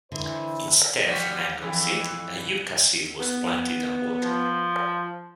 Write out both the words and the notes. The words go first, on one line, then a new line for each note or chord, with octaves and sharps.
Instead of a mango seed, a yucca seed was planted and watered.
D3 E3 E4 C5
F3 G3 F#4
F2 E3
B3
F3